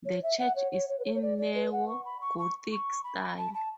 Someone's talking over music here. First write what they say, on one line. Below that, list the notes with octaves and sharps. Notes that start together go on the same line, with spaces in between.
The church is in neo-Gothic style.
C#5
E5
F#5
C#5
C#5
C#5
B4
C#5
C#5
D5
D5
B4
F#5
C#6
B5
C#6
C#6
C#6
B5
A5
A5